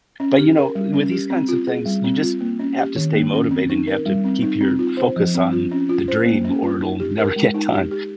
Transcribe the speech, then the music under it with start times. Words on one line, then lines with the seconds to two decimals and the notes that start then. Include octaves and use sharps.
But, you know, with these kinds of things, you just have to stay motivated and you have to keep your focus on the dream or it'll never get done.
0.20 C#4
0.38 G4
0.57 A#4
0.75 G3
0.94 C#4
1.12 G4
1.30 C4
1.49 F4
1.67 G#4
1.86 G3
2.04 C4
2.22 F4
2.40 A#3
2.59 C#4
2.78 G4
2.96 D#3
3.13 A#3
3.33 C#4
3.51 C4
3.70 D#4
3.87 A#4
4.06 G3
4.24 C4
4.42 D#4
4.61 C4
4.79 F4
4.97 C5
5.16 F3
5.34 C4
5.52 F4
5.71 C#4
5.89 F4
6.08 C5
6.25 A#3
6.44 C#4
6.62 F4
6.81 D#4
7.00 G4
7.18 A#4
7.36 G#3
7.54 D#4
7.73 G4
7.91 G4